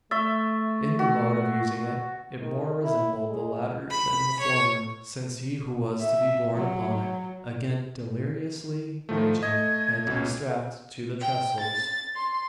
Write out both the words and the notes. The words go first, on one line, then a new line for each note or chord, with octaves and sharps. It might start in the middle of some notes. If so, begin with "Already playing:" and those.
In the mode of using it, it more resembled the latter than the former: since he who was to be borne upon it, again deliriously raging, had to be strapped to the trestles!
A3 E5 C#6 A6
F#4
D#3
E4
G#3
B5
C#5
E5
F#3
D#3 F3 A3
A3 D#5 G#6
C#2 B2 C#4
G5
A6
C6